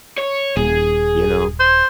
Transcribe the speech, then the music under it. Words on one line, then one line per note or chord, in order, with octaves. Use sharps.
You know?
C#5
D#1 G#4
C5